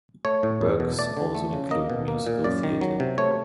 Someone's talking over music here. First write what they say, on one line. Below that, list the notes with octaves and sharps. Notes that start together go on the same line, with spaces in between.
Works also include musical theatre.
A3 C#5
A2
E2
B2
A3 D5
D3
A3
C#3
A#3 D#5
B2
A#3
A#2
F#2 D5
D#3
F#3
C3
A3 C#5